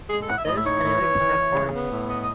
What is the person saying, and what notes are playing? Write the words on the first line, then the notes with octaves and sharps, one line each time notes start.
Thus, an 'image' is not formed.
G#3 G#4
A4
A2 F#5
E5
A2 D#5
E5
D#4 C#5
A2
E3
E3
E3
C#3
B3
A2
B3 D#5
D#5